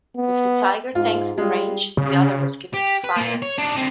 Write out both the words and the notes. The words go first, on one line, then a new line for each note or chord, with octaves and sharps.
With the Tiger tanks in range, the order was given to fire.
B3
G#2 F4
G3 G#3 F4
C#3
G4
B4
A#3 F4
C#5
D4 D#4
D3 C4